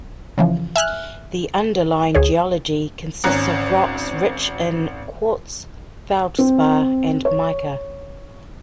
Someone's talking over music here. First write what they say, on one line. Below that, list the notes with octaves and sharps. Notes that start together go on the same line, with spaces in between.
The underlying geology consists of rocks rich in quartz, feldspar, and mica.
C#3 E3 F3
E5 G#5 F6 F#6
D2 G#4 C#5
G#1 C#4 A#5 F#6
C4
C#5